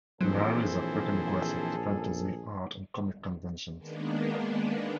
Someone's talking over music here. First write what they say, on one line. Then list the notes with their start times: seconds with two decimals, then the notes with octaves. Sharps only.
Larry is a frequent guest at fantasy, art, and comic conventions.
0.21 A#1 F#2 E3 F#3 C4 G#4 A4
3.78 D#3 G#3 A#3 B3 D4